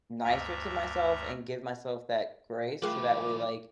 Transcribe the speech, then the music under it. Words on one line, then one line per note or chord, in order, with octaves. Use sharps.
nicer to myself and give myself that grace, so that way, like,
D2 G2 E5 A#5
F3 A3 E4 F4 G#4 A#4 C6 D6